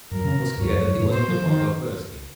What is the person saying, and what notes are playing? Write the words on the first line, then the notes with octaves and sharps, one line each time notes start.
It was clear that he was on the point of bursting.
F#2 A#4
C#3
C3
F#2
F2 C#5
F#2
F#2
A2
A#2 C5
F3
D#3